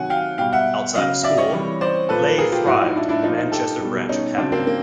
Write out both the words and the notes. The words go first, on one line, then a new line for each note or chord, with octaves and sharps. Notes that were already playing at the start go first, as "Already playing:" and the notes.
Outside of school, Leigh thrived in the Manchester branch of Habonim.
Already playing: C3 D#3 F#3 F#5 G#5
F5 G5
B2 G3 F5 G5
E5 F#5
C#3 F#3 D#5 F5
D5 E5
C#5 D#5
C3 E3 G3
C5 D5
A#2 F3 A4 B4
G#4 A#4
F4 G4
A2 F#3 E4 F#4
D#4 F4
D4 E4
D4 E4
A#2 F3 D#4 F4
D#4 F4
G4 A4
B2 G3
C#4 D#4
C#3 F#3 C4 D4
A#3 C4
A#3